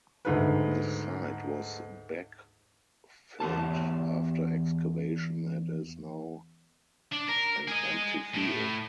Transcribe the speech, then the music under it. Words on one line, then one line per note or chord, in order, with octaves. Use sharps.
The site was backfilled after excavation and is now an empty field.
D2 G#2 B4
E2 B3 G4 A5
D4
A#4
G#4 D#5
A2